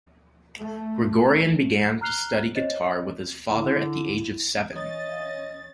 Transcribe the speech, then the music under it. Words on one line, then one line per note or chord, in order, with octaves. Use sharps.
Grigoryan began to study guitar with his father at the age of seven.
A3
A#5 F6 F#6 C7 F7 G7
C5 C#5 D#5 A6
D3 E4
E3 C#4 D#5 A6
E5 F5